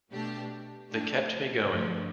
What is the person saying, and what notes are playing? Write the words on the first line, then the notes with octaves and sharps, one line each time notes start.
They kept me going.
B2 A3 D4 G4
F3 A3 D4 G4
G2 D3 F3 A3